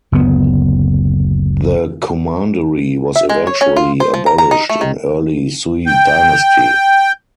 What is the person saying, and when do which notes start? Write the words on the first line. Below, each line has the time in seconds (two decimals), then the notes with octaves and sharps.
The commandery was eventually abolished in early Sui dynasty.
0.12 F#1 D2 B3
3.16 E5
3.29 G#3
3.47 C#5
3.61 C#4
3.76 F4
4.00 C5
4.14 F3
4.26 A#5
4.38 A#5
4.51 D#4
4.69 A3
4.81 D#3
5.87 G5